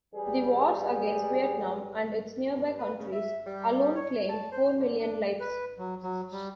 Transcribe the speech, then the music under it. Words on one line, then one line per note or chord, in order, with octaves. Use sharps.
The wars against Vietnam and its nearby countries alone claimed four million lives.
A1 G3 G#4
G2
B4
C#3
E5
G3
C#5
A5
C5
D3
D4
B4
F#3
F#3
G3